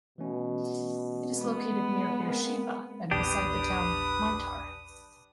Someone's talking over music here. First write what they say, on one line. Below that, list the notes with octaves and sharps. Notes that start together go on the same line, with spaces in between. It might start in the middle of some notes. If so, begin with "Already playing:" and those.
It is located near Beersheba and beside the town Meitar.
B2 E3 A3 C#4
G#3 B3
A#3 C4 A#4
A#1 E2 D4 G4 B4 D#6